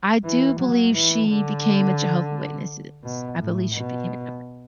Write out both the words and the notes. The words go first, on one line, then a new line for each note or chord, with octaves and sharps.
I do believe she became a Jehovah Witnesses. I believe she became a Jehovah
E3
F#3
E3
D3
B2
A2
B2